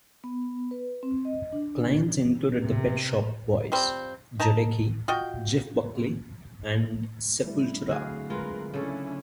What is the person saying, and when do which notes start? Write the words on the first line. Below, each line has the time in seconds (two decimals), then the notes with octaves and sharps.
Clients included the Pet Shop Boys, Jodeci, Jeff Buckley and Sepultura.
0.24 B3
0.71 B4
1.03 C4
1.25 D#5
1.52 D4
2.62 C3
3.72 F3 G3 C4
4.40 D#4 A5 A#5
5.08 F4 F#4 D#5 G5
7.43 G3 A3 E4
7.89 D3 F#3 A3 C4 F#4 G#4 F5
8.30 G#3 F4 A#4 B4
8.74 C#3 C#4 D4 E4 A4